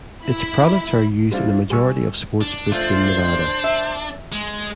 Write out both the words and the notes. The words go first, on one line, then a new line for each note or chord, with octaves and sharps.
Its products are used in a majority of sportsbooks in Nevada.
E4 B5
G3 C4 D4 E4 F4
G3 G#5 C#6 E6
D4
F3 A3 F4 C5 C6 G6
E5
G#3